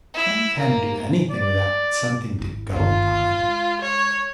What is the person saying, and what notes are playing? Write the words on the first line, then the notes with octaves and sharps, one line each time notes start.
One can't do anything without something to go upon.
E4
A#3
D5
G#1 E4
G1 D#2 F4
G#3
C#5